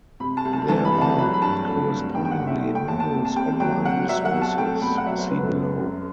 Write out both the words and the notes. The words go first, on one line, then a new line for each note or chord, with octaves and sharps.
There are, correspondingly, numerous online resources; see below.
C3 B5
A5
C2
A5
E3 A5
B5
C2
A5
F#3 B5
B5
G2 A5
A3
G2
D#3 G5
G5
F#5
D#2
E5
A3
G5
D#2 A5
A5
C3
A5
C2 G5
F#3 G5
C2 F#5
F#3 E5
F#5
B2
A5
A3 G5
B2 B5
F#5
F#3 E5
C5
F#2 B4
A4
B3
F#2